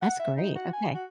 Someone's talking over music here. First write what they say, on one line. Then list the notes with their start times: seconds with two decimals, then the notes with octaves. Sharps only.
That's great, okay.
0.02 F#5
0.20 E5
0.37 D#4
0.55 F#4
0.73 G#5
0.94 F#4